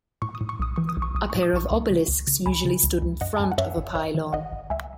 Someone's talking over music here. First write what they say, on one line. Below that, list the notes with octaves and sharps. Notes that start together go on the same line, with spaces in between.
A pair of obelisks usually stood in front of a pylon.
A2 C#6
D#6
A2
C#6
B1 D#6
E3 C#6
D#6
B1
C#6
B1 D#6
A2 C#6
D#6
B1 A5 C#6
C#2
C#3
C#2
C#3
C#2 G#5 B5
C#3
C#2
C#2
F#2 D#5 F#5
A5
F#2 G#5
F#5
F#2 C#5 E5
G#1
G#1 C#5 E5
D#3
G#1 D#5 F#5
G#1
C#2 E5 G#5